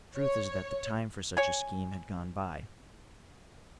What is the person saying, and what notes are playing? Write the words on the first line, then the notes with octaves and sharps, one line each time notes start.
The truth is that the time for such a scheme had gone by.
C#5
C#5 G#5